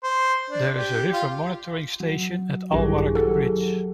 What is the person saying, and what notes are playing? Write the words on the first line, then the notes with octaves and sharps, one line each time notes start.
There is a river monitoring station at Aldwark Bridge.
C5
D4
G4
F4
F#3
A#1 G2 D#3 E4 G4 G#4
F#3 A4